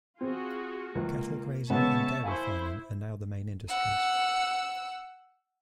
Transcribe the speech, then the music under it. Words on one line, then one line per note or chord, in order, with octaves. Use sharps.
Cattle grazing and dairy farming are now the main industries.
C4 F4 F#4 G#4
C#2 A#3
C#3 G#3 B3 C#5 E5 A5
E4 C5 F5 G#5 C#6
F#5 E6